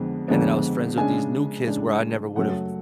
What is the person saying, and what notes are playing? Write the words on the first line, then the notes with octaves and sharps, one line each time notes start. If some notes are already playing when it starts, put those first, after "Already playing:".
and then I was friends with these new kids where I never would've
Already playing: F2 D3 G#3 B3 D4
F2 D3 G#3 B3 D4
C#3 G#3 D4 G#5
C#3 G#3 D4
F#2 C#3 F#3 A3 F#5